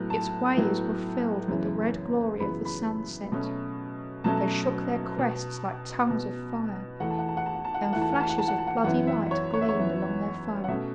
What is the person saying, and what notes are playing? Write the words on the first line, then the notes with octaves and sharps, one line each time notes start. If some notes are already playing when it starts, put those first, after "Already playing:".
Its waves were filled with the red glory of the sunset; they shook their crests like tongues of fire, and flashes of bloody light gleamed along their foam.
Already playing: A2 F#3 B3
A5
A2 F#3 B3
F#2 C#3 E3 B3
F#2 C#3 E3 B3 B5
B5
B2 F#3 A3 C#4
B2 F#3 A3 C#4 A5
B2 B3
B2 B3
E2 E3 A3 F#5
A5
F#5
A5
F#5
A5
F#5
A5
F#5
A5
E2 E3 A3 F#5
A5
F#5
A5
F#5
A5
F#5
A5
F#5
F#2 E3 B3 F#5
E5
C#5
C#5
E5
C#5
F#2 E3 B3
F#5
B2 A3 C#4 E5